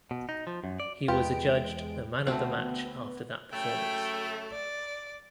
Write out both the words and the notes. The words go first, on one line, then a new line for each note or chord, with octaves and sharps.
He was adjudged the man of the match after that performance.
B2
D#4
F3
F#2
D5
E2 G#3 B3 F4 G4 D7
D2 A3 B3 C4 F#4
C#3 F#3 A3 G5
D5